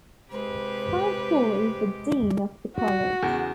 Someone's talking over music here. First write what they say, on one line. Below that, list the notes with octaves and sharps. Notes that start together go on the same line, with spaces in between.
Frank Hall is the dean of the college.
C3 G#3 G4 B4 C5
F#4
E2 C#3